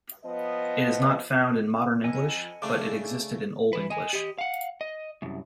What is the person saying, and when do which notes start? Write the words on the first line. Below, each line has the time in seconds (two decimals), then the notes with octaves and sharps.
It is not found in Modern English but it existed in Old English.
0.25 F3 B3 D#5
2.04 F2 A4 D#5 G#5
2.62 C#3 A3 D4 G#4 A5 D6
3.73 E3 B4
3.90 D#5 G#5
4.13 G4 D#5
4.38 F5 F#5
4.81 D#5
5.22 C2 F#2